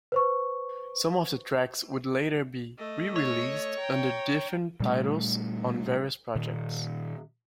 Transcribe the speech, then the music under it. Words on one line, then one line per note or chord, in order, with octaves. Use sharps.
Some of the tracks would later be re-released under different titles on various projects.
B4 C5 C#6
A3 D#5
C#5
G5 A#5
A#2 G3 A3
A#2 D#3